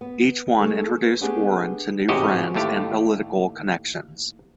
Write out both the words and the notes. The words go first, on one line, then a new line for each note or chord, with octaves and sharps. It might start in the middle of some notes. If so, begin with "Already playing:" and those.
Each one introduced Warren to new friends and political connections.
B3
A3 E4 G#4 A4
B4
A3 B3 D4 G4 G#4 F#5
A1 G#2 C3 F#4 G4 D#5
D#2 A2 A3 G4